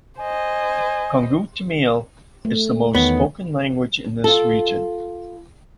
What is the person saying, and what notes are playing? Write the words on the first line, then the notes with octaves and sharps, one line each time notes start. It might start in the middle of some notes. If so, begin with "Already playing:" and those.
Kongu Tamil is the most spoken language in this region.
C5 D#5 G#5
A3
E2 D#3 B3 C#5
F4 A4